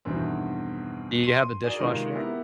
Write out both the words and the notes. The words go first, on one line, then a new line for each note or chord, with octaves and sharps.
Do you have a dishwasher?
E2 G2 B2 D#3 E3 C4
C6 D#7
F#4 G#4 A#4 D5 G#5
C3 D#3 G#3 A#3 F4 A#4
B3 E4 G4 A#4